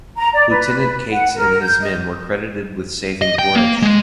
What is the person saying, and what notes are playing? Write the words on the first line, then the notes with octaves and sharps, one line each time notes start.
Lieutenant Cates and his men were credited with saving Bouresches.
A#5
D5
B4
F#5
A#4
G6
D#5
D#5
G5
A#3
G#3